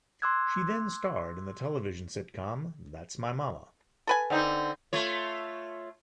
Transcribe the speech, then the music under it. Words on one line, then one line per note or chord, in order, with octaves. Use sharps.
She then starred in the television sitcom "That's My Mama".
C6 D6 E6 F#6 G#6
A4 B4 G#5
D3 C4 D#4
A3 F4 C#5